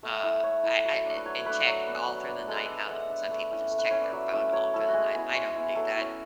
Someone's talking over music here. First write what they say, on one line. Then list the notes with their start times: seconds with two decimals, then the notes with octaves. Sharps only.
uh, I I, eh, and check all through the night, how some people just check their phone all through the night, I don't do that,
0.03 A3 E5
0.12 F#5
0.22 E4 E5
0.43 A3 C#5
0.63 E4
0.85 F#3
1.05 A3 D4
1.17 B4
1.26 F#3 C#5
1.46 A3 D4 B4
1.67 F#3
1.87 B3 D4
2.07 F#3
2.27 B3 D4
2.48 G#3 A4
2.56 B4
2.65 D4 A4
2.78 E5
2.89 G#3 F#5
3.00 F#5
3.10 D4 E5
3.31 A3
3.51 C#4 E4
3.71 A3
3.78 B4
3.90 C#4 E4 C#5
4.02 D5
4.13 F#3 E5
4.32 A3 C#4 E4 D5
4.53 F#3 C#5
4.73 A3 C#4 E4 A4
4.88 F#4
4.94 G#3 G#4
5.14 B3 E4 G#4
5.34 G#3 C#5
5.56 B3 E4
5.75 F#3 A4
5.96 C#4 E4